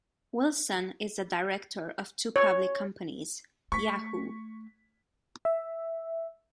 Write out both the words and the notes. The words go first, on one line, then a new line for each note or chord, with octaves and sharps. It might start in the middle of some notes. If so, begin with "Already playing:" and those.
Wilson is a director of two public companies: Yahoo!
C#5
A3 C#6 B6
E5